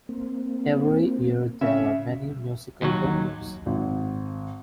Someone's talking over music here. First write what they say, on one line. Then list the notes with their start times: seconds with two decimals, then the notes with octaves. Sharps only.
Every year there are many musical venues.
0.09 A#3 C4
1.61 C#3 E5
2.82 D#2 F#3
3.66 G#1